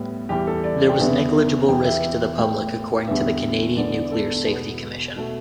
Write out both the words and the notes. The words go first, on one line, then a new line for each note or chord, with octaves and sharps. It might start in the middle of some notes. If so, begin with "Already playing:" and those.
There was negligible risk to the public according to the Canadian Nuclear Safety Commission.
Already playing: A2 G3 B3
E2 E3 G3 G4
A4
D5
G5
E2 D3 B3 E5
E2 E3 B3 G5
E5
A2 A3 G5
E2 D3 G3 B3 E5
E2 D3 B3 D5
A4
E2 B2 B3
B2 A3